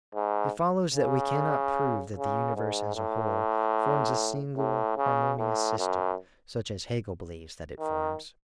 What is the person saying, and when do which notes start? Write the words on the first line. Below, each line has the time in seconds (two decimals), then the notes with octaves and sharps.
It follows that we cannot prove that the universe as a whole forms a single harmonious system such as Hegel believes that it forms.
0.15 G#2
0.94 C#3
2.16 C#3
2.56 G#2
2.96 A2
4.57 A2
4.97 C#3
5.39 A2
5.78 F#2
7.80 D#3